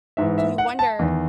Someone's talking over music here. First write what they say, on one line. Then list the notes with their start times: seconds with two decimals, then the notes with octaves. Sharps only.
you wonder
0.17 G#2 E3 E5
0.38 E5
0.58 F#5
0.79 A5
0.99 E2 D#3